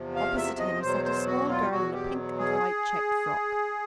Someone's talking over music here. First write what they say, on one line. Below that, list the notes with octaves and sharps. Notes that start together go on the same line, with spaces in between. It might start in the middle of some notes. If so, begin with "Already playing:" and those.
Opposite him sat a small girl in a pink and white checked frock.
Already playing: E2 C3 F3
F5
E5
D#5
E2 B2 F#3 C5
C5
F#4
F4
E2 B2 F#3 F#4
G4
G#4